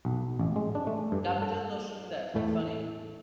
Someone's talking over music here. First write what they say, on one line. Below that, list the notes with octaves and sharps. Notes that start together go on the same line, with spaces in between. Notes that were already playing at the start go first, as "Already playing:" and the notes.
Capital notion that — funny.
B1
A1
G#3
D4
A3
G2
A4
E2 A2 A3